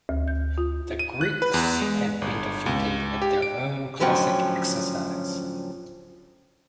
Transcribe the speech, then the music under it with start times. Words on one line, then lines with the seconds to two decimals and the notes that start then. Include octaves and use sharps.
The Greeks had been defeated at their own classic exercise.
0.09 D2
0.28 G6
0.58 F4
0.99 D#7
1.21 F#6
1.42 B4
1.54 E2
1.82 G#3
2.22 G1
2.66 C#2
3.22 G4
3.42 D7
4.00 A2 D3 F3 F#3 C#4 G5